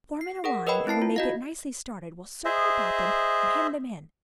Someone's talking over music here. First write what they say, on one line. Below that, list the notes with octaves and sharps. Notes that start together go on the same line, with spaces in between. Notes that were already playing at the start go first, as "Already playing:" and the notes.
Form in line and when they get nicely started, we'll circle about them and hem them in.
C7
G#4 A#4 F#5
A#4 B4 C#5 D#5 G5 B5
C4 E4 A5 C7
F4
F#4 D#5 F5
G#4 C5 D#5 E5